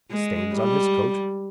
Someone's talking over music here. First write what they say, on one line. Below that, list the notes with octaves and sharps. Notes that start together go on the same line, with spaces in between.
Stains on his coat.
G#3
G3